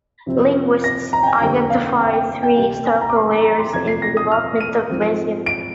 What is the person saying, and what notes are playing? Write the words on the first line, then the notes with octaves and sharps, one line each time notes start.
Linguists identify three historical layers in the development of Resian.
F2 C3 F3 C4
A#6
A#5
G5
G#5
F2 D3 G3 A#3 G5
F5
G5
G5
G5
C3 G3 C4 G5
G5
G#5
A#5
D6
C6
A#5
A#5
C6
F2 C3 F3 G#6
C7
A#6
D#6
F6
D#7
G#2 F3 C4
D7